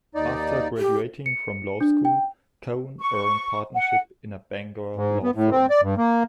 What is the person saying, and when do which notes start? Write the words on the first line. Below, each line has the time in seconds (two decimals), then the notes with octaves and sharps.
After graduating from law school, Cohen earned partnership in a Bangor law firm.
0.15 D#2 D#4 D5
0.77 G4
1.26 C#7
1.81 D4
2.05 G5
3.00 C#6
3.75 F#5
4.96 G#2
5.23 B3
5.35 A2
5.51 C4
5.70 D5
5.82 G2
5.97 A#3